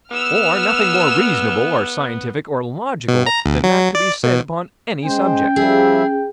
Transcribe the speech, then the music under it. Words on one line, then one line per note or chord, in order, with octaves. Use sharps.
Or nothing more reasonable or scientific or logical than that could be said upon any subject.
B3 E6 F6
B2
A#5
D2
F#3
D5
B2
G#3 C#4 C5 G5
F3 G3 G#4 E5